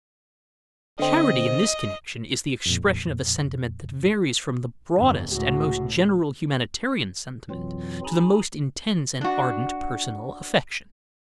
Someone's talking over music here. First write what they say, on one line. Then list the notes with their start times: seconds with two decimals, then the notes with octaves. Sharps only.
Charity in this connection is the expression of a sentiment that varies from the broadest and most general humanitarian sentiment to the most intense and ardent personal affection.
0.99 D3 C4 D#5
2.66 F2 A#2
4.95 G1 F2
5.31 C#2 A2 F#4
7.50 F2 B2 E3 F#3 C4 F4
8.05 D#4 G#4 G#5 A#5 B5
9.21 D4 F#4